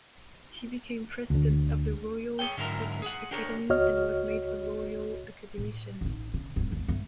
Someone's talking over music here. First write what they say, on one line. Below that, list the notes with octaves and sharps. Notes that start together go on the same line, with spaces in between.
He became president of the Royal Scottish Academy and was made a Royal Academician.
D2 D3
G#4 C#5 G5
G#2 D3 F#3 E4 A#4
G#4 F#5
D4 G4 A#4 C#5
C#2 F#4 C#5 D#5 F6
A2
A1 D#4
C#3
D1 G2
G#1 D#2
G2 A3